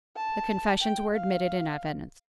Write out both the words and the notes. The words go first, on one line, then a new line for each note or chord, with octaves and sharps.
The confessions were admitted in evidence.
A5
G5
F5